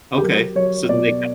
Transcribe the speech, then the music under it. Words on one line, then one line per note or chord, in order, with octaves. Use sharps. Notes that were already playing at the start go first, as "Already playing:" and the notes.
Okay. So, do they ki
G4
F#3 A#4
F#3 C#5
B2 D5